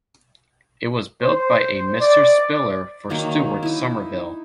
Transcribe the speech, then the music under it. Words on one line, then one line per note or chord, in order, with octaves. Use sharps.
It was built by a Mr Spiller for Stuart Somerville.
C5
D5
D#3 F#3 A#3 D#4
D#4 E4